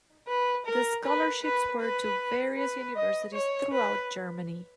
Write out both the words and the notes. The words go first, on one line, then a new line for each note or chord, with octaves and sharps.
The scholarships were to various universities throughout Germany.
B4
A#4
B4
B4
B4
B4
D#5
C#5
B4